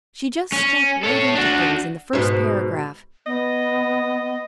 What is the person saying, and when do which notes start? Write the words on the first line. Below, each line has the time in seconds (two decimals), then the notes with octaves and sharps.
She just struck right into things in the first paragraph.
0.53 C#4
1.03 A4 C#5
1.35 D4 F#4
2.13 G#2 B2
3.26 B3 D#5